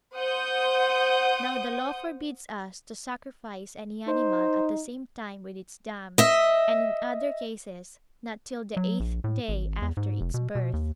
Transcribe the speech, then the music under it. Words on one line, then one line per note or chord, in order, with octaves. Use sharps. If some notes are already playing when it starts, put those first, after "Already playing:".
Now the law forbids us to sacrifice any animal at the same time with its dam; and, in other cases, not till the eighth day after its birth.
C5 F#5 D#6 G6
D#4 C5
D#5 E5
F#3
A#1
A2
G#1
E2
G#2
F1
B2
B2
D#2